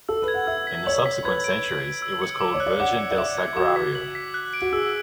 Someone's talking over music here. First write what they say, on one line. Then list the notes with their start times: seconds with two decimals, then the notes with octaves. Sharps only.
In the subsequent centuries, it was called Virgen del Sagrario.
0.09 A4 E6
0.22 B4
0.28 G#6
0.34 F#5
0.47 E5 E6
0.67 B6
0.86 C#5 F#7
1.06 B6
1.25 B4 G#6
1.44 D7
1.64 F#7
1.83 G#6
2.02 E6
2.22 C#7
2.41 D6
2.54 C#5
2.60 F#6
2.66 D5
2.80 F#5 D6
2.99 C#7
3.11 D5
3.18 E5 D6
3.37 G#6
3.56 F#4 D6
3.76 B6
3.95 F#7
4.15 B6
4.34 F#6
4.54 D7
4.62 F#4
4.72 G#4 E6